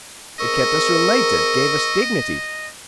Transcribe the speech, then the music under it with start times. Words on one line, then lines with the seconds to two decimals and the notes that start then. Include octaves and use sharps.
It kept us related--gave us dignity....
0.40 C4 G#4 A#4 D#5 C#6 E6